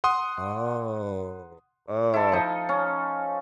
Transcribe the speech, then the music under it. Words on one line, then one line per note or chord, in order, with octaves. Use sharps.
Oh, oh.
F#5 C6 D#6
E4 A4
F3 D#4
C#4